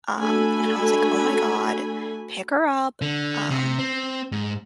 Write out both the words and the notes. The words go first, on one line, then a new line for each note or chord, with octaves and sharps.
um, and I was, like, "Oh my god, pick her up," um
A3 D4 F#4 A4 G#5 B5
D3
C3
C4
G#2